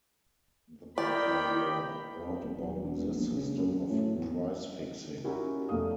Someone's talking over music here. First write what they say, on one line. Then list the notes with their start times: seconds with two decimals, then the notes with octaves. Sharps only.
The Potter Law brought about this system of price fixing.
0.98 D#3 E4 G4 D5 G5 B5
2.25 F2
2.43 D#1
2.61 F#3
2.82 E1
3.15 A#1
3.36 C#3
3.57 F#2
3.90 A2
4.15 E2
5.24 C#4 D#4 E4 F#4 G4 A#4
5.69 F1 B2 A3 D#4 F5 D#6